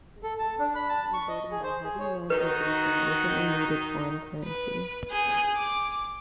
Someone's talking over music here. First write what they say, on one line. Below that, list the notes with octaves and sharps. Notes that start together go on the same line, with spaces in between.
The German economy-burdened by heavy militarisation-urgently needed foreign currency.
A4
A5
D4
B5
A5
C#6
D#5
G#4
C5
G#4
C#5
D#3 D#4 F#4 B4
B4
G#4 G6
D6